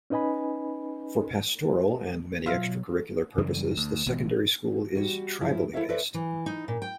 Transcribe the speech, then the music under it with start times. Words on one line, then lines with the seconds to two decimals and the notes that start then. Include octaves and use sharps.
For pastoral and many extra-curricular purposes the Secondary School is "Tribally" based.
0.10 C#4 D#4 B4 D#5 G#5 B5
2.46 B2 F#3 F4 E5 F5
3.38 F#2 C#3 E3 G3
3.77 D2
4.06 G#1 B2 E3 B3
4.95 G3 F#4
5.41 G2 F3 E4
5.73 E4 A4 C5 C#5 E5 F5
5.89 A4 B4 C5 D5 E5
6.14 E3
6.46 D#4
6.68 A#2
6.82 G5